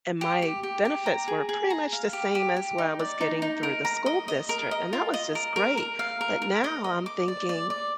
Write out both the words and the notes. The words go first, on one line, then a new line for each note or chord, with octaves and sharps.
and my benefits were pretty much the same as what I was getting through the school district, and that was just great, but now, I'm thinking
G4
G4
G4
G4
A#5
G#4
G#4
A#5
F5
G4
G4
G4
D#4
D5
D#4
D#4
A#4
A#5
D#5
D#5
A#4
D#5
F4
D#5
A#4
A#4
A#4
F5
A#4
A#4
D#5
D#5
D6
D5
D5
D5